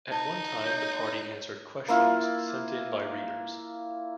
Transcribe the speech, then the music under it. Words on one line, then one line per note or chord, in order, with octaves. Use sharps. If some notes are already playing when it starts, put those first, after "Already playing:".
At one time, the party answered questions sent in by readers.
D#4 A5
C#5 G6
A#3 E4 F4